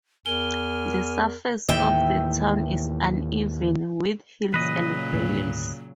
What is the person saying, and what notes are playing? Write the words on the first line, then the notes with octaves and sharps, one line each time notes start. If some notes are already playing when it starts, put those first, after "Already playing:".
The surface of the town is uneven, with hills and valleys.
E2 A#4 G#5 F6 G7
D#2 A2 E3 E5 G5
A#2 C#3 E3 F#3 B4 D#5
D2 G#2 A3